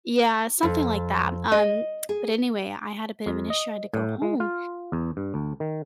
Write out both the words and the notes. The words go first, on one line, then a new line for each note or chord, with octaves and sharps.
Yeah, something like that. Um, but anyway, I had a bit of an issue. I had to go home,
F2
D#5
G#4
F2
D#5
A2
G#3
F4
E2
G2
D2
D#3